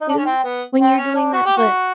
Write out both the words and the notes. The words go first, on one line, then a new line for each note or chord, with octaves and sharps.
too, when you're doing that, but,
D#4
D4
C#4
C4
B3
C4
C#4
D4
F#4
G4
F#4